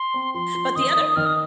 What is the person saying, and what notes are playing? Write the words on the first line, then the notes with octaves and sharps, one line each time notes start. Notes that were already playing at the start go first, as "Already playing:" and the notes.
But the other
Already playing: C6
C4
F3 C6
F3
D#3 D#6
D#4
D#3 F6
D#6